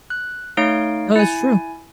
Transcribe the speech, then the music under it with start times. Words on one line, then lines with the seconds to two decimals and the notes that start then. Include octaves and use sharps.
No, that's true.
0.10 F#6
0.57 A3 D#4 C#5 F5 D7
1.16 E4 G#5